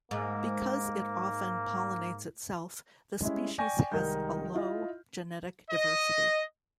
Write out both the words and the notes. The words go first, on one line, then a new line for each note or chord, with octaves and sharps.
Because it often pollinates itself, the species has a low genetic diversity.
G#2 A#3
G3 G#3 C#4 E4
D5 G5 G#5 C#6 G6 A#6
C2 D#3 G#3 D#4 A#4 G6
E4 F4 D#5
D#5